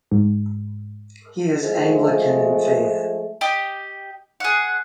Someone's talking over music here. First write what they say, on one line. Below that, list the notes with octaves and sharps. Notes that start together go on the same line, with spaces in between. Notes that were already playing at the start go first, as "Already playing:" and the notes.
He is Anglican in faith.
G#2
F3 G#3 A3
G4 D#5
G#4 F#5